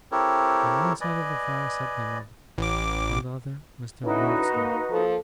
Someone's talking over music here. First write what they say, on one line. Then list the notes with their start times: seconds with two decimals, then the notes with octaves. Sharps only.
On one side of the fire, sat my mother; on the other, Mr. Murdstone.
0.12 C4 E4 G4 A4 A#4 C#5
1.01 B4 D5 D#5 G#5
2.58 A1 D6
4.03 D3 C#4 D#4 E4 F#4 B4
4.54 A#3
4.91 F3 A#3 A4